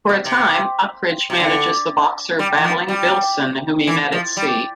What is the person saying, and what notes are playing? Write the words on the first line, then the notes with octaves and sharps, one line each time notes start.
For a time Ukridge manages the boxer "Battling" Billson, whom he met at sea.
B2
C3
C3
D3
G3
E3
F3
G3
E3
F3
G3